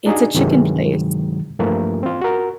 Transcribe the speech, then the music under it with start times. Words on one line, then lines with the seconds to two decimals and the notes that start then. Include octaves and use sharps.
It's a chicken place.
0.06 D4 D#4 F#4 G#4 D#5
0.35 G2 C3 D#3 E3 F#3 G#3
1.59 G2 E3 F3 A3 A#3
2.03 C4 F4
2.21 F#4 A#4